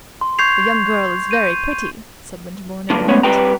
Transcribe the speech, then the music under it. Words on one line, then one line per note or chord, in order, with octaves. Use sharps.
"The young girl is very pretty," said Winterbourne in a moment.
C6
C#6 G6 G#6 C7 F7
G6 D#7
G2 A#2 D3
G#3 A3 B3 C#4 C#5
G2 G3 C4 B4 G5 A#5